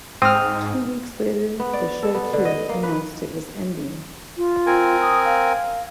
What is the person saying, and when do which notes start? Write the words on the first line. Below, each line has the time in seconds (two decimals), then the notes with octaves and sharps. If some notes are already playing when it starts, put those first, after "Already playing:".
Two weeks later, the show, too, announced it was ending.
0.22 G#2 C4 D#6 F6
1.60 B3
1.73 D5
2.03 A4
2.14 B3
2.33 D3
2.45 D#5
2.69 A#3
2.83 B4
4.37 F4
4.66 C4 A#4 G#5
5.01 D#6
5.25 F5